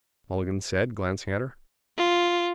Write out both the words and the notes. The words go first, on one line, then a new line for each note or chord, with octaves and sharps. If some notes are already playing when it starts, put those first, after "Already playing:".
Mulligan said, glancing at her.
F4